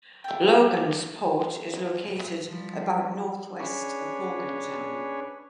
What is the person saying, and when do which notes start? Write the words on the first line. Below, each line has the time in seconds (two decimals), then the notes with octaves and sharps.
Logansport is located about northwest of Morgantown.
0.24 A3 G5
2.47 F3 G3
3.60 C#4 D4 G#4 B4 C#5